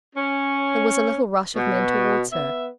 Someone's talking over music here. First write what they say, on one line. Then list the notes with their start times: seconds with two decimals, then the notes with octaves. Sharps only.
There was a little rush of men towards her.
0.16 C#4
1.56 B2
2.33 B3 E5